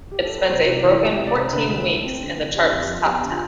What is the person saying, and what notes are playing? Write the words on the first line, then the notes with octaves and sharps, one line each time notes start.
It spent a broken fourteen weeks in the chart's top ten.
G4
A4
B4
C3 C5
C2
D5
E3
G3 D5
E5
C3
D5
C2 C5
D3 B4
D2
A3
C4
D3
D2
D3 G4
G4
F2
G4
F3 F4
B3 G4
G4
D3
F4